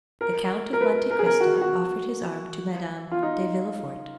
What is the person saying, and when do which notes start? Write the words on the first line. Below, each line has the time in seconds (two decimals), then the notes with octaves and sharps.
The Count of Monte Cristo offered his arm to Madame de Villefort.
0.21 A#4
0.73 A#4
0.81 B4
1.11 A#4
1.19 G#4
1.26 A#4
1.40 F#4
1.61 F#4
3.12 F4
3.23 D#4